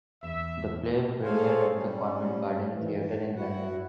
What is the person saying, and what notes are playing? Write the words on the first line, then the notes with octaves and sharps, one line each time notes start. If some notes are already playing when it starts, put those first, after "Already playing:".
The play premiered at the Covent Garden Theatre in London.
E2 E5
G#4 A4 C5 C#5 F5 G#5
G3 C#4
D#3 E3
E4 F#4 F#5